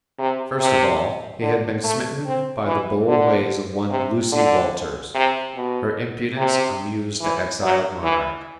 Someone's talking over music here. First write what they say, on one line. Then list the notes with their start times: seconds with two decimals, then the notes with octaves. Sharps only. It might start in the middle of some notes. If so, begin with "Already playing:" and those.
First of all, he had been smitten by the bold ways of one Lucy Walters. Her impudence amused the exiled monarch.
0.19 C3
0.59 C3
1.41 D3
1.84 A3
2.25 C4
2.66 E3
3.07 D3
3.90 C3
4.32 D3
5.14 C3
5.55 B2
6.37 C3
7.20 E3
7.62 F#3
8.03 E3